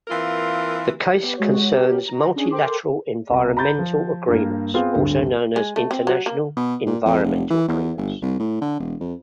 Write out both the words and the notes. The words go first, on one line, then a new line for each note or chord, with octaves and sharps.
The case concerns multilateral environmental agreements also known as international environmental agreements.
E3 A#3 C4 F4 A#4
B3 G4
G#3 F#4 C#5
C#4 G4 A#4
A#5
C#4 D4 G#4
A4 A#4 C5 G5 C6 D6
C2 A#5
A#5 B5 G6 A6
F3
G2 A#3
B3 C4 F4 G#4
D1 G2 D3
G#3
A3
C4
F#3
A#3
B2
A#2
F2
F1
E3
E2
G1
C2
A2
D3
E1
F2